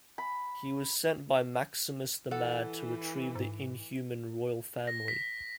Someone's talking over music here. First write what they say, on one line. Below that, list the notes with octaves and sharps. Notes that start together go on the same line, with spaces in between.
He was sent by Maximus the Mad to retrieve the Inhuman Royal Family.
B5
E3 A4 F#5
G#2
A#6
B6